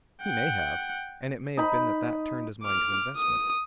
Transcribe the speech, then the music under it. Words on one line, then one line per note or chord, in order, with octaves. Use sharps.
He may have, and it may have been that that turned his mind to investment.
F#5 G5
D#4 B5
D6 F6
D#6